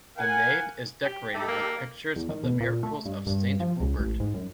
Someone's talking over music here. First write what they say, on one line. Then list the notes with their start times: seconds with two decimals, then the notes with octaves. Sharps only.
The nave is decorated with pictures of the miracles of Saint Rupert.
0.17 A#4 F5 F#5 G#5
1.05 G4
1.34 A3 D#4 G4 A4
1.48 A#3
2.16 E2
2.29 D#3
2.44 B2
2.61 A#2
2.83 A3
3.05 G2
3.26 G2
3.60 F3
3.80 C#2
3.99 A1
4.20 G#2
4.34 F#2